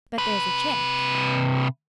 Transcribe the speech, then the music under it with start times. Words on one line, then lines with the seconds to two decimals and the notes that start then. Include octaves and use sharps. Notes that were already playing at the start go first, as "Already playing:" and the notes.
"But there's a chance?"
0.18 C3 B4